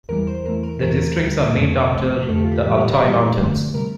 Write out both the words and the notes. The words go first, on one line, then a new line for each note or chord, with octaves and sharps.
The districts are named after the Altai Mountains.
E2 E3 G3 A#4
C5
E2 E3 A3 A#4
A#4
E2 E3 A3 A#4
D2 D3 G3
F2 C3 F3 A3
C2 C3 F3 A3
F2 D3 A3 A4
G4
F4
G4
A2 E3 G3
F4
E2 E3 G3 G4
G2 D3 A3
C3 G3 A#4